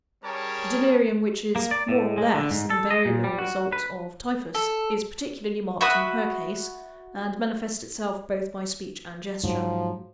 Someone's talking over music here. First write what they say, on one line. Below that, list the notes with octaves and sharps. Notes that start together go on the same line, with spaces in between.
The delirium which is, more or less, an invariable result of Typhus, is particularly marked in her case, and manifests itself both by speech and gesture.
G3 C#4 G#4 A#4 C#5 A5
A#3
D5
A2
G#3
D3
G#2
A4
D#5
A#2
G3
F#4
B4
A4
F#4 E5 B5 D#6
G#2 F3 F#3